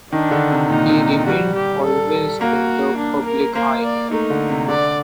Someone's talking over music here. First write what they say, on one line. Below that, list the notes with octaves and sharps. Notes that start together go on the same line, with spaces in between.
He remained always in the public eye.
D#3 D4
D3
C3
A#2 D#4
C3
D#3
G3 F#4
G4
A4
A#3 F#4
D4
A#4
A#3 C5
D5
A3 D#4
D3
C3
D3 D5